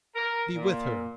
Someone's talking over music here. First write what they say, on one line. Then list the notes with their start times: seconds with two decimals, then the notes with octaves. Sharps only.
Be with her!
0.16 A#4
0.54 A#2